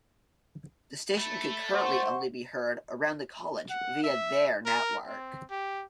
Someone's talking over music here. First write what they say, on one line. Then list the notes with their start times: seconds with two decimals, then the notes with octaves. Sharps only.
The station could currently only be heard around the college via their network.
1.18 A3 B5
1.73 C5 F#5 C#6
3.70 F#5
4.04 E5
4.66 A#4
5.07 C4
5.50 G4